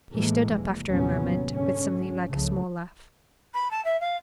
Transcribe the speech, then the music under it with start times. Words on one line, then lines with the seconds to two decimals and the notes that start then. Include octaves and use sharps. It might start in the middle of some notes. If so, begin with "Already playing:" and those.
He stood up after a moment, with some thing like a small laugh.
0.13 A2 E3 G#3 A#3
0.54 F1
0.87 D#2 A2 C3 F#3 B3 C#4
1.48 G#2 D3 C#4
2.29 C#2 C#3 F3 A3
3.53 B5
3.70 A5
3.84 E5
4.00 F5